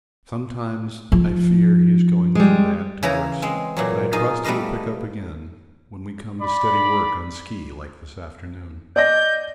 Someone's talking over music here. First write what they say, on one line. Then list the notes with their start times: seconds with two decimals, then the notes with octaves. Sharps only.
Sometimes I fear he is going from bad to worse, but I trust he will pick up again when we come to steady work on ski like this afternoon.
1.12 F3
2.35 G3 G#3
3.03 C#3 E3 C#5 A#5
3.42 G#3 C4
3.77 A#2 E3 F#3
4.13 D#4 F4 G#4 D#5
4.44 G3 A3 B4 D#5 F5
6.42 D5 B5
8.96 D5 D#5 G6 A#6